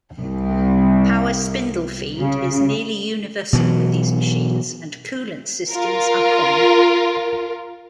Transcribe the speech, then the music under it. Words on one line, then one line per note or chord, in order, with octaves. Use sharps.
Power spindle feed is nearly universal with these machines and coolant systems are common.
C2
C#3
B2 E3 F#3
F4 A#4